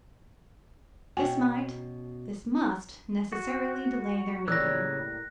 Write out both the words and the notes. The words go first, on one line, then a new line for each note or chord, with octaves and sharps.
This might, this must, necessarily delay their meeting.
B2 C#4 F#4 G5 G#5
F#4
A2 C#3 G3 A#3 C#5 E6 F#6 A#6